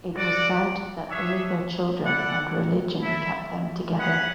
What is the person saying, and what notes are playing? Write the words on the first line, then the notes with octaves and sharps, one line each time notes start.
It was said that only their children and religion kept them together.
F#4 A4 D5 F#5
D4 G#4 C#5 E5
E4 A4 D5 F#5
E4 A4 E5
C#4 G#4 B4 F#5